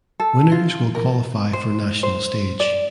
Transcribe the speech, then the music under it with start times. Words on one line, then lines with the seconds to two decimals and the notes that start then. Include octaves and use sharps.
Winners will qualify for National Stage.
0.20 A4
0.52 F4
0.95 A#4
1.53 C5
2.03 C5
2.60 D5